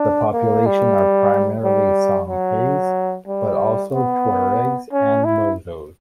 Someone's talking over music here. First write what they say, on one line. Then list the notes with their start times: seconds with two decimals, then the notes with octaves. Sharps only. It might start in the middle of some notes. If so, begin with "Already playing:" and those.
The population are primarily Songhais but also Tuaregs and Bozos.
Already playing: D4
0.33 A#3
0.66 G3
1.64 G3
2.29 F#3
3.27 G3
3.93 B3
4.92 C#4
5.24 E4